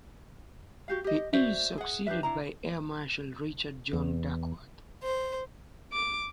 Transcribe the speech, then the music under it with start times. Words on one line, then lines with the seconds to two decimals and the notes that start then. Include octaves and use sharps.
He is succeeded by Air Marshal Richard John Duckworth.
0.88 F#4 G4 F5
1.04 G4 D#5
1.33 F#4 C5 D5 E5
1.78 G#4 F#5
2.07 D4 G4 B4 E5
2.23 D4 E4 A#5
3.93 E2
5.03 C5
5.93 D6